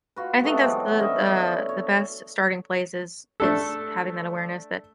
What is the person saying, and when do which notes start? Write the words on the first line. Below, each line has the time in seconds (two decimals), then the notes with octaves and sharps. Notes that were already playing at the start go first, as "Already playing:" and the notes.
I think that's the the the best starting place is is having that awareness that,
0.16 F4 F#4 B4
0.44 G#3 A3 B3 G4
0.63 E3 F#3 B3 C4
0.98 D3 C#4 D#5 E5
1.69 C#5
3.40 A3 D4 A4